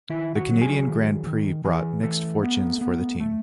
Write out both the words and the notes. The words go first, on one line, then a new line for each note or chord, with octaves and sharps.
The Canadian Grand Prix brought mixed fortunes for the team.
D#3 E4 E5
F#4 F#5
F#3
G#4 G#5
D#3
D#3
E3 G#4 G#5
E3 A3 A4
B3
B3
A3